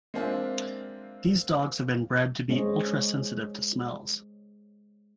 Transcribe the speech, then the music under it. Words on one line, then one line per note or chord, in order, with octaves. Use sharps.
These dogs have been bred to be ultra sensitive to smells.
G#3 A#3 C4 D4 F4 E5
G#3 C#4 C5 C#5 D#5